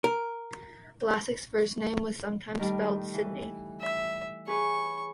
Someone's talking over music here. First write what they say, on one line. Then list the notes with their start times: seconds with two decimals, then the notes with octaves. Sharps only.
Lassick's first name was sometimes spelled "Sidney".
0.04 A#4
2.59 D#3 G3 A3
3.14 E3
3.81 E5
4.48 G#4 B4 C#5 C#6